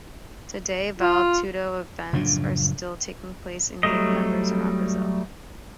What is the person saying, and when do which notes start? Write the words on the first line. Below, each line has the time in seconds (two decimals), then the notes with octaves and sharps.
Today, Vale Tudo events are still taking place in great numbers around Brazil.
1.00 F4
2.13 F#1 A2 F3 D4
3.83 F#3 G3 A3 D#5